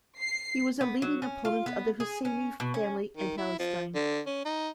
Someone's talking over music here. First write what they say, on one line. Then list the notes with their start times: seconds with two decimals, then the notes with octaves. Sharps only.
He was a leading opponent of the Husayni family in Palestine.
0.19 C7
0.81 B3
1.02 F#3
1.22 C#4
1.45 F4
1.66 B3
2.00 G#4
2.25 C#4
2.60 B2
2.74 C#4
3.17 D#3
3.37 E4
3.59 F3
3.95 D3
4.26 C#4
4.45 D#4